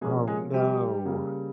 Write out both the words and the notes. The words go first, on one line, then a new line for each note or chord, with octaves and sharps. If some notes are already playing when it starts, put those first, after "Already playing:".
Oh, no.
C3 F3 G#3 A#3 C#4 G#4
G#3 G#4
G3 G4
C#3 G3 A#3